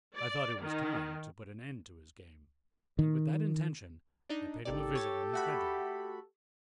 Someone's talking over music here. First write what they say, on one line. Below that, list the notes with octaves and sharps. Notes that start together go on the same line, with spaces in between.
I thought it was time to put an end to his game, and with that intention I paid him a visit in his bedroom.
D5
D#3
D#3
D4 D#4 D#5
G#1 D#3 G4 A4 D5
C#5 A6
A3 F#4 B5